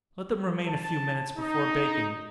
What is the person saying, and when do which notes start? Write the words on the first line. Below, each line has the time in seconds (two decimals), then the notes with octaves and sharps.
Let them remain a few minutes before baking.
0.67 A5
1.37 D#4